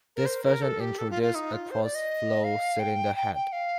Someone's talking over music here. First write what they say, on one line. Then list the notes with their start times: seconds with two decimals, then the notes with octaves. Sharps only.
This version introduced a cross-flow cylinder head.
0.16 A#4
0.26 C5
0.44 A#4
0.62 A4
0.80 G4
0.99 A4
1.11 F4
1.23 F4
1.35 D#4
1.53 F4
1.71 C5
1.83 D5
1.95 D#5
2.44 F5
2.80 G5
3.16 G5
3.35 G5
3.52 F5